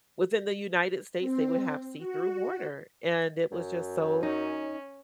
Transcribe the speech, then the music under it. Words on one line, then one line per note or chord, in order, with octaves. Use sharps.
within the United States they would have see-through water, and it was just so
C4
F#4
F#2
C#4 D#4